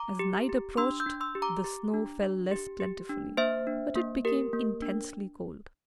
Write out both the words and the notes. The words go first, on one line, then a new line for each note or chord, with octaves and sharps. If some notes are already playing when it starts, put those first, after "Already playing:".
As night approached, the snow fell less plentifully, but it became intensely cold.
Already playing: A#5 D6
G4
G4
D4 C6 E6
E6 G6
D4
C6 E6
G4
A#5 D6
G4
D4
D4
G4
G4
D4
A#3 C5 E5
D4
A#3
G4 A#4
A#3
D4